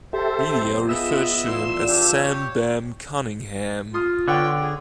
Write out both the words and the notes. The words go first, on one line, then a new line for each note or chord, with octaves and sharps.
The media referred to him as Sam "Bam" Cunningham.
G4 A4 C5 E5
F#2 B2 C4
B3 F4 G#4 D#5 E5 E6
E2 F4 D5 C6
D4 G4
G4 C#5
F4 C6 D#6 F6
D3 B3 C#5 F#5 G5
G#4